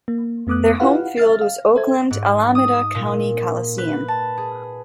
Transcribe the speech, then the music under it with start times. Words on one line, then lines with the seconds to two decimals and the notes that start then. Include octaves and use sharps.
Their home field was Oakland-Alameda County Coliseum.
0.08 A#3
0.47 F2 A3 B3 D6 D#6 F#6
0.80 E4 F4 G4 B4 F5 F#5
1.17 E5 F6 A6
1.41 F5
1.76 A4 C5 E5 G#6
2.11 G#2
2.55 D#6
2.95 A#2
3.78 B4
4.08 A5
4.38 G#4